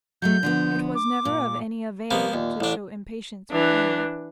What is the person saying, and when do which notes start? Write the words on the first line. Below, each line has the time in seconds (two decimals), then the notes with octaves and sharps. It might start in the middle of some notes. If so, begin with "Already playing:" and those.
It was never of any avail to show impatience with Anna.
0.22 F#3 G#3 A3 G6
0.43 D3 F3 B3
0.95 D6
1.25 A#2
2.11 C3 F3 A#3 B3
2.34 D#2 A#2
2.60 A1 A2 D4
3.52 E3 D4